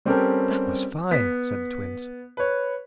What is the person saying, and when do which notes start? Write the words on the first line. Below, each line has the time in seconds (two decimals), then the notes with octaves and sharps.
"That was fine," said the Twins.
0.05 G3 C4 C#4 G4 A4 A#4
1.11 B3 B6
2.37 B4 C#5